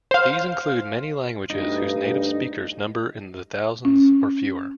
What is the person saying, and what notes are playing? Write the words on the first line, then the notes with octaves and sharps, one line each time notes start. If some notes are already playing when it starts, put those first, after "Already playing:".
These include many languages whose native speakers number in the thousands or fewer.
C5 F5
D2 G2 D#4
C#4